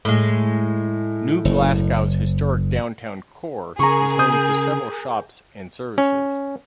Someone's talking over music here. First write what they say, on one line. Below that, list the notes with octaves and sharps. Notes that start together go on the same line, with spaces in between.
New Glasgow's historic downtown core is home to several shops and services.
A2 G#3
F#1
C#3 G#4 A#4 A#5 C#6
D#6 G6
C#4